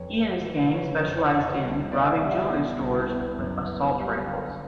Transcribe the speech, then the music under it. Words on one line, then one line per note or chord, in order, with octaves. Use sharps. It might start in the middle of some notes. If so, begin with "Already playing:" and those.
He and his gang specialised in robbing jewellery stores with assault rifles.
Already playing: F2 B4 C#5
F2
E3
C#3 B4 C#5
F2
C#5 D#5
F2
C#5 D#5
C2
B3 D5 E5
G3 E5 F#5
B2
C2
B3
F#2
B3
G3
D3 F5 G5
F5